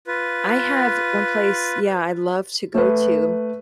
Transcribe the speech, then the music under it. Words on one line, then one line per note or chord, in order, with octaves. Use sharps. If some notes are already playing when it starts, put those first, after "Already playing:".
I have one place yeah, I love to go to.
F4 B4
A3 B4